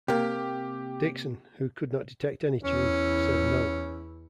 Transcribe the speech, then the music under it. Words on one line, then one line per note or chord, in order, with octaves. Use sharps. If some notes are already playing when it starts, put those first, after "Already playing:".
Dickson, who could not detect any tune, said no.
C3 A#3 G4
E2 C#4 E4